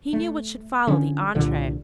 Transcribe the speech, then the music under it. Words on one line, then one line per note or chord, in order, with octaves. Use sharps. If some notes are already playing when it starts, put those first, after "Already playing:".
He knew what should follow the entree.
A3
D3 F3 C#4
C2 A#2 D3 F3